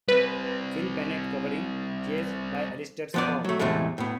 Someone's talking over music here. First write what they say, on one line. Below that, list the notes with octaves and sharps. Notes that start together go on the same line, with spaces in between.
Phil Bennett covering, chased by Alistair Scown.
G3 C4 B4
F3 B3 D5
F#3 A3
E2 A2 C3 G#3 A3
A2 B3